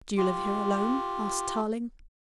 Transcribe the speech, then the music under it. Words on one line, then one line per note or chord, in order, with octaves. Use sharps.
"Do you live here alone?" asked Tarling.
F4 G4